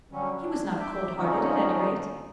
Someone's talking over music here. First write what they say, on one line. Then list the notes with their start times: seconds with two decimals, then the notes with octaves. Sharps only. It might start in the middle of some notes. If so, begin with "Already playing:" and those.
He was not cold-hearted, at any rate.
0.12 D3 F#3 G3 C#4
0.41 D4
0.79 E5 D6 G6
1.16 F2 D3 F3 C#4 D#4